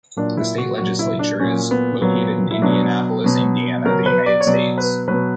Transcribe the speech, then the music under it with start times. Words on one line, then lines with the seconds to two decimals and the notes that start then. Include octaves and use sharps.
The state legislature is located in Indianapolis, Indiana, the United States.
0.16 A#2 F#3 D4
0.37 E4
0.58 F#4
0.78 A#2 F#3 F#4
0.99 E4
1.19 D4
1.39 A#2 F#3 C#4
1.71 B3
2.01 A#2 F#3 B3
2.51 E4
2.62 B2 F#3 D4
3.24 B2 F#3
3.85 B2 F#3 A#4
4.06 B4
4.26 D5
4.41 C#5
4.47 B2 F#3 D5
4.78 B4
5.08 B2 F#3 B4